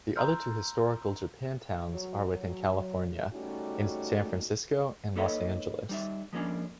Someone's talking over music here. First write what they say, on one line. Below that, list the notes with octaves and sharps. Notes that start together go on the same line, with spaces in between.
The other two historical Japantowns are within California, in San Francisco and Los Angeles.
A#5 C6 E6 F6 G6
F#3
F#3
C#3 G3 A3 C#4 D#4 F#4
A#3 D#4 A4 B4 C#5 D#5
G3 D#4 E5
F3 G#3 A#3 C#4 D4